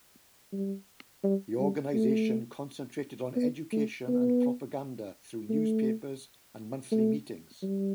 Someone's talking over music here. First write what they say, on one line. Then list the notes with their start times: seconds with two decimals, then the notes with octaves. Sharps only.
The organisation concentrated on education and propaganda through newspapers and monthly meetings.
0.53 G3
1.24 G3
1.59 G3
1.94 A3
3.36 B3
3.72 A3
4.08 B3
5.50 A3
6.92 A3
7.62 G3